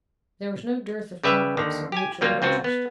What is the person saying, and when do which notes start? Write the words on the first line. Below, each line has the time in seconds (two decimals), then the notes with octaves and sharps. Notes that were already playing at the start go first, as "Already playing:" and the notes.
There was no dearth of topics of mutual interest.
1.24 C#3 G3 G4 B4 E5
1.57 D#2 D3 D#3
1.92 G4 G#5
2.21 F#3 G3 A#3 F4
2.42 C#2 C4 F4 F#4
2.64 B3